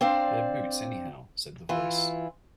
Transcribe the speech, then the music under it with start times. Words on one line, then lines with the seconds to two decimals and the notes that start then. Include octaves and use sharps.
"They're boots, anyhow," said the Voice.
0.01 C4 D4 C5 D5 F5
1.69 E3 E4 F4